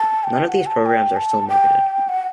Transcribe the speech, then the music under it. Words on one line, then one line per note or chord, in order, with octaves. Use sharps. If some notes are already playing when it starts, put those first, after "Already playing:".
None of these programs are still marketed.
Already playing: A5
G5
G5
F#5
A5
G5
A5
G5
F#5